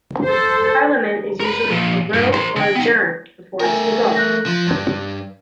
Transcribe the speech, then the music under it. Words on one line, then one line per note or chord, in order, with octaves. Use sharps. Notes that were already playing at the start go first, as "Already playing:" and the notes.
Parliament is usually prorogued or adjourned before it is dissolved.
A4 C5
A#4 B4
A#2 F3
G2 A#2
A#4 C5
D3 G5
B3 D#4
A3 A#4 G5 G#5
F#6 G6 A#6
F3
G2